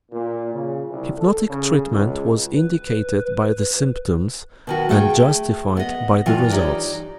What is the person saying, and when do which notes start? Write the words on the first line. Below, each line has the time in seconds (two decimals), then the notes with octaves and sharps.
The hypnotic treatment was indicated by the symptoms and justified by the results.
0.11 A#2
0.53 C#3
0.89 C2
1.17 A4
1.50 C#3
1.90 C#2
2.54 B4
4.67 B2 D#3 F#4
4.89 A3 G#4 F#5 G5
5.77 B3 D#5
6.26 G2 E3 F4
6.52 D#4 G4 C#5 D5